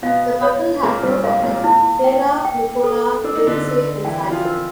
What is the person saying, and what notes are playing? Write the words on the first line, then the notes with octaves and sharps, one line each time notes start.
The couple had four daughters: Sarah, Nicola, Lindsay and Sally.
B2 B3 F5
C#5
A#2 A#3 G#4
G2 G3
G#2 G#3 F5
A#2 A#3
E4
G5
G5
A4
D4 A#4
D#4
D3 D4
A#4
E3 E4 G5
F3 F4
A#4